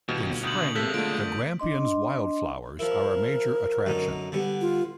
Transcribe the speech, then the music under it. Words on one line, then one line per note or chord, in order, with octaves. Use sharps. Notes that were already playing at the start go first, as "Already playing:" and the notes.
In spring the Grampians wildflowers are a major attraction.
G1 D#2 B2
D2 D3 D#6 G6 F#7
C3 G#3 A#3 A4 G6 B6
A#2 D3 A3 D7
D4 D#5 C6
F3 E4 A#4
F#2 D3 D#4
D3 G3 B3
F4